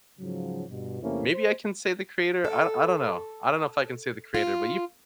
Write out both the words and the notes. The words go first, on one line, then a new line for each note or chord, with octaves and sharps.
maybe I can say the creator? I I don't know. I don't know if I can say the creator, but you
G#2 C#3 F3 F#3
G2 B2
E2 C3 A3 A#3 C#4 E4
C5
A4
F4